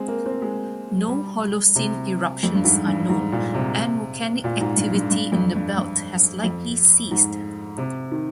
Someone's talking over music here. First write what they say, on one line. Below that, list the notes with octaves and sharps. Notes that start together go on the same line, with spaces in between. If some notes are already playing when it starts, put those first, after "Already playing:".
No Holocene eruptions are known, and volcanic activity in the belt has likely ceased.
Already playing: G#3 C4
A#3
C4
G#3
G3
C3
F2
G2
G#2
G2
G#2
A#2
C3
A#2
G#2
G2
G2
G2
F2
G2
G2
F2
G#2
C3
D#3